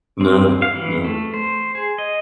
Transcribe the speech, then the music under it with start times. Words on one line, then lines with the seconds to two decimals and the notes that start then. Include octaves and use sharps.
No. No.
0.21 C4
0.62 F5
0.75 E3
1.04 A3
1.34 C5
1.75 G#4
1.98 D#5